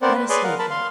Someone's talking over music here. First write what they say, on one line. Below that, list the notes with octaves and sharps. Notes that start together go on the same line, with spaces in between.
Let us leave him.
B3 C4 A#4 C5 D5 F#5
B4
G#4 B4 C#5 D5 G#5 C6
A#4 F5 F#5
A#4 A5 B5
F5 C6